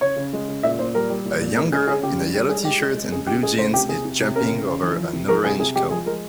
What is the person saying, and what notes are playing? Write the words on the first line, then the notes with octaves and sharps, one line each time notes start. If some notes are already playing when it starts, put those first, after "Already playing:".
A young girl in a yellow tshirt and blue jeans is jumping over an orange cone.
C#3 C#5
C#3
G#3
C#3
A#2 E5
A#2 C5
G3 A#4
G3
A#2
A#2
G#3 A#4
G#3 G#4
C#3 G#4
C#3 G4
G3
G3
G#3 G#4
G#3 G4
G#3
G#3
C#3 G#4
C#3 G4
G#3 G#4
C#3 C5
C3 G4
C3 G#4
C3
C3
C#3 A#4
C#3
C#3
E3
F3
C3
F3 A#4
C3 G#4
C3 G#4
G#3 G4
F3 G#4
G#3 A#4